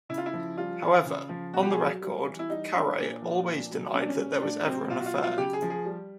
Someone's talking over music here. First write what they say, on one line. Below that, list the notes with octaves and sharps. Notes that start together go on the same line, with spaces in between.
However, on the record, Caray always denied that there was ever an affair.
C#3 E4
F4
E4
F3
G3 F4
E3
C#3
F3
B2 F#4
G4
G#4
F#3
G3
E3
E4
G3 D#4
E3 D4
A#2
F3
A#2
F#3
A#2 C#4
D4
C#4
G3
A2 D4
F#3 C4
B2 F4
F#4
F4
F#3
F4
C#3 G4
G#4
F3
G#4
G3